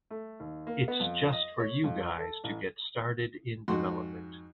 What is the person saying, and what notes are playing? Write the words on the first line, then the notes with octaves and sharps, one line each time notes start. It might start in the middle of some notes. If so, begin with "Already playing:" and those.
It’s just for you guys to get started in development.
A3
D#2
A#3
B3
F2
D#5
C#5
F2
A4
A1
F2 G#2 F#4 C6